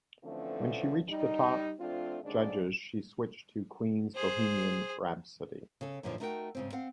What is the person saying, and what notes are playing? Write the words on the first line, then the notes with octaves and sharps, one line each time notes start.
When she reached the top judges she switched to Queen's "Bohemian Rhapsody".
D3 E3 F3 A3 C4 C#4
G3 D#4
F3 A3 C4 D4 F4
D#2 G#2 C#3 G#3 D4 D5
G#4 C5
C#3 A4
F#2 A#2 D3 E3 F3
A3 D#4 F#4 A#4 E5 G5
G#2 C#3 C4
C4 F5 F#5